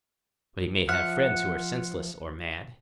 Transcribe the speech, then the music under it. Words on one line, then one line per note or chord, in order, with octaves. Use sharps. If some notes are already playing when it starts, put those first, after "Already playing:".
But he may have friends who are senseless or mad?
F3 E5 F#5 F6